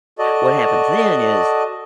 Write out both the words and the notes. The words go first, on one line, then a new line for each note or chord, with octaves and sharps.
What happens then is-
F#4 A4 D5 D#5